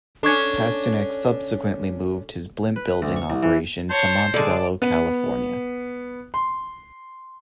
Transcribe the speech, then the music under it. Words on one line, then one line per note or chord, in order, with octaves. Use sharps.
Pasternak subsequently moved his blimp building operation to Montebello, California.
C#4 D4 A4 C#6 G#6
B4
D2
C#6
C2
E3
C5 C#5 A5
D3 G#3 D5 A5 D6
B3
C6